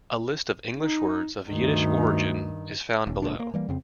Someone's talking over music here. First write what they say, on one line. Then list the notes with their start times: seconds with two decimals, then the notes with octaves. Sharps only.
A list of English words of Yiddish origin is found below.
0.74 D#4
1.47 D2 G2 D#3
3.07 D#1
3.22 D1 C#2 A#2 D4
3.40 A#3
3.54 E3 G3 A#3
3.69 F2 C#3 C4